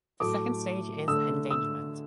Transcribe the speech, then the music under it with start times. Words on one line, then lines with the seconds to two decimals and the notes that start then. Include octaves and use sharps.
The second stage is "endangerment".
0.20 A2 F#3 A3 D6
1.08 D3 A3 E6
1.51 E6